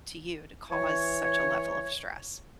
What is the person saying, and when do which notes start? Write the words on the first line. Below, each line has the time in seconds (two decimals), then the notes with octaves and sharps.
to you to cause such a level of stress.
0.71 E3 C#5